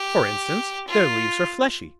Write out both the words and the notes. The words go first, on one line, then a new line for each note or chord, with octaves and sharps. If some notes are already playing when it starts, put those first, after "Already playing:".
For instance, their leaves are fleshy.
Already playing: G4
F4